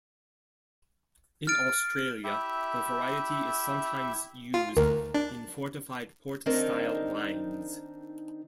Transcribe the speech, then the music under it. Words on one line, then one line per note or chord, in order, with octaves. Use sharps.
In Australia, the variety is sometimes used in fortified port-style wines.
F6 A6 D7
E4 G4 E5
F4
D2 A#4
D4
D#3 C4 D4 D#4 A#4